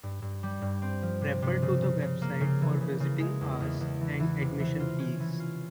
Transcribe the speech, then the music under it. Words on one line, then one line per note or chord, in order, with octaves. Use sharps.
Refer to the website for visiting hours and admission fees.
G2
G2
G3
G2
C4
F3
C3
C3
C#3
C#3
C#3
A#3
C#3
E3
C#3
C#3
G#3
E2
E2
E2
E3
E3
C3
E3
F4
C#4
E3
F4